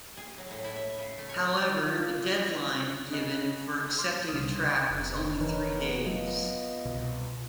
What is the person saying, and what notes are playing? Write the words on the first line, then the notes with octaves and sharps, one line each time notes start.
However, the deadline given for accepting a track was only three days.
G#4
F#3
A2
E4
E5
C#3
A3
C#5
F4
C#3 D#5 F#6
C6 D6 F6
C2 C#3 D#6
F1 E3
E3 D#4 A#4 B4 C#5
B3
F#3 F4 D#5
C2 B2